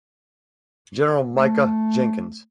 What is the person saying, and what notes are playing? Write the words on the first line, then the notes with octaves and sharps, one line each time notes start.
General Micah Jenkins.
A3